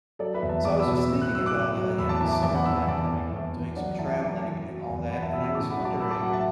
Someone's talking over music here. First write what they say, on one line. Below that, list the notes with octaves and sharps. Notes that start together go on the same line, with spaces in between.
So, I was just thinking about, uh yeah with, summertime coming up, doing some traveling and all that, and I was wondering,
F#3 A4 D5
B4 E5
E2
E5 A5
E2 A5 D6
B5 E6
B2
B5 E6
A2
F#6
F#3 E6
D6 F#6
A2
F#3
E2 B5 E6
A5 D6
E3 E5 A5
A5 D6
E2 A5 D6
F#5 B5
E3 B5 E6
B5 E6
E2 A5 D6
E3
E2
E3
F#2 D5 F#5
E3 E5 A5
F#2 A5 D6
E3
F#3
E2
E2 F#5 B5
E5 A5
B2 B5 E6
B5 E6
A2 A5 D6
F#5 B5
F#3
A5 D6
A2 B5 E6
A5 D6
F#3 F#5 B5
E5 A5